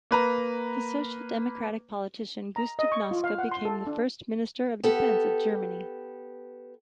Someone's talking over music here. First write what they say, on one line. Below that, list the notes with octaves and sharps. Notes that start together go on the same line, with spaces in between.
The Social Democratic politician Gustav Noske became the first Minister of Defence of Germany.
A#3 B4 A#5
A#5
D#5
C#6
F4
F5
F#5
C6
A4
D4
B3 G4 A4